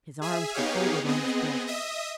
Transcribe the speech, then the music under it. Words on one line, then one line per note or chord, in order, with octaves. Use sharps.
His arms were folded on his breast.
G#4 E5 G#5
B3 D#4 G4 G#4 C#5 F5
B3 C4 G#4 D#5
D#5 E5 D#6